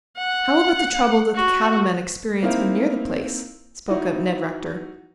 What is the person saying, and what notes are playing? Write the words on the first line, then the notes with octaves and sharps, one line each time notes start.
"How about the trouble that the cattle men experience when near the place?" spoke up Ned Rector.
F#5
F#4
A#3 C4 D#4 E4 A#4 F5
D#4 E4 F#4